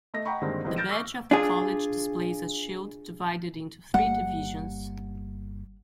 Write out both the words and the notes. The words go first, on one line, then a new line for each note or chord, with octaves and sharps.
The badge of the College displays a shield divided into three divisions.
A3 D#5 E5 A#6
D#5 F#5 G5 A#5 B5 C#6
G2 D3 D#3 G#3 A#3 C4
C#2 E3 G3 C4 D#5
F6 G6 A6 A#6 D7 E7
C#6 D6 E6 F6 A#6
D4 F4 G#4
G1 G3 A#3 F#5